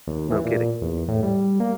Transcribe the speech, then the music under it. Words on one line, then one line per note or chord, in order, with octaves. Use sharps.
No kidding.
D#2
E3
A#2
E2
A2
G3
A#3